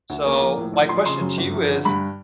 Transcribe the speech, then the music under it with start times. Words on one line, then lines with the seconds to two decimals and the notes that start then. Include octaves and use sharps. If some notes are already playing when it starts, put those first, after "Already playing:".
So my question to you is
0.10 D2
0.26 A#3
0.42 F3
0.57 A2
0.73 A#1
0.89 F3 C6
1.06 C#3 C6
1.21 F#2
1.37 G1
1.53 F3
1.69 D3
1.85 G2 B5